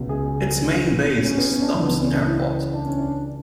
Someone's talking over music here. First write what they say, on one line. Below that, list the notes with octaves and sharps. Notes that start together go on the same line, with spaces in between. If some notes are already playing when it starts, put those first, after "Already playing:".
Its main base is Thompson Airport.
Already playing: C#2 B2
G#4
C#4
B3
C#4
D4
C#2 C#3 E3 D4
B3
C#4
D4
E4
D4
C#4
D4